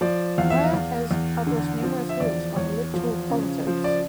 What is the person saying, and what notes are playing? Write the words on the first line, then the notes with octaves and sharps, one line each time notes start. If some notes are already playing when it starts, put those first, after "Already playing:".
Mayer has published numerous works on electoral politics.
F3 D5
E2 F5
E5
F5
E2
E2
D3
F3
E5
E2 D5
E2 C#5
F3
C#3
F3
D5